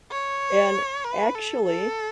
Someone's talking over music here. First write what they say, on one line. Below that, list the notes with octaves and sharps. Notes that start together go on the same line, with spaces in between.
and actually,
C#5
B4
A4
A4